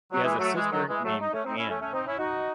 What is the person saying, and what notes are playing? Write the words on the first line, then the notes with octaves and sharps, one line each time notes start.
He has a sister named Anne.
F#3
E3 G#3
F#3 A3
E3 G#3
D#3 F#3
E3 G#3
F#3 A3
D#4
A3 C#4
C4 D#4
C#4 E4
A3 C#4
A3 C#4
C4 D#4
C#4 E4
D#4 F#4